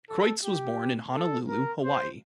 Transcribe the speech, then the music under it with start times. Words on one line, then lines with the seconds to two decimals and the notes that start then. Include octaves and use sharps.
Kreutz was born in Honolulu, Hawaii.
0.10 A4
0.45 G4
1.14 A4
1.49 A#4
1.84 C5